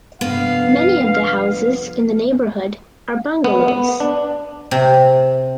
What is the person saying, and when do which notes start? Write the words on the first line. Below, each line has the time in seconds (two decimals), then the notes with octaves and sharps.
Many of the houses in the neighborhood are bungalows.
0.21 F1 G2 B3 F5 A#6
3.44 B3
3.68 B3
4.00 D4
4.71 C3